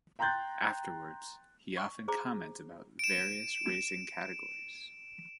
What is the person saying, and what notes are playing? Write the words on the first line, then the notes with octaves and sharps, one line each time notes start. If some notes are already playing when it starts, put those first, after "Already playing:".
Afterwards, he often comments about various racing categories.
G5 A#5 C6 F#6 G6 A6
C#6
G#4 C5 A#5 D6
D7 E7